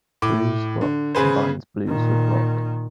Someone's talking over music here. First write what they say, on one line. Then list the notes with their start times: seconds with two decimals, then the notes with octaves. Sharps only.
Blues rock combines blues with rock.
0.22 A2 D6
0.81 D3
1.15 C#3 G#4 B4 C5
1.88 A#2 D#3